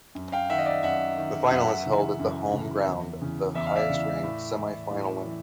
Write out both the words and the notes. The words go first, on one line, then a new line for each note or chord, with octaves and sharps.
The final is held at the home ground of the highest ranked semi-final winner.
F#2
F5 G5
D#3 E5 F#5
D#5
D5 E5
F#2 E5 F#5
D#3
F#2 E5 F#5
C#3 E3
F#2
C#3 E3
E2
C#3 E3
E2 E5
F5
D5 E5
C#3 E3
A2
E3
A2
E3